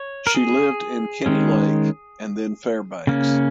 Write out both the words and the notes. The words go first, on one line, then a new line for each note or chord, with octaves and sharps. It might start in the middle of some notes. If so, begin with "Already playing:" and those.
She lived in Kenny Lake and then Fairbanks.
Already playing: C#5
A#4
G#4
D#3 G#3 C#4
C#3 A#3 C#4